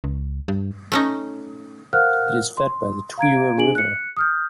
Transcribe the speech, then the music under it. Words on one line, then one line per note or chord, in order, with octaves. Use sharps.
It is fed by the Tuira River.
C#2
G2
A3 C#4 D#4
A#4 C5 F5 F#5 F6 F#6
C6
F5 A#5 G#6 D7
D4 G#4 G#5 D7 F#7
F#6 C#7
D#6 F6 G6